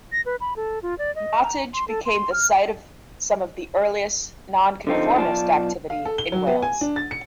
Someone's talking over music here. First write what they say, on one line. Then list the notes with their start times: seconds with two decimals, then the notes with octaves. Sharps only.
Nottage became the site of some of the earliest Nonconformist activity in Wales.
0.12 A#6
0.26 B4
0.41 B5
0.56 A4
0.83 F4
0.98 D5
1.15 D#5
1.43 A#5
1.73 C6
1.88 A4
2.06 C6
2.32 F6
4.87 D3 F3 C4 D#4
5.18 B1 F4 D5 A5
5.90 F5
6.05 A4
6.18 G7
6.32 F#3
6.47 B3
6.62 G#5
6.81 D4
6.96 A6
7.11 C#7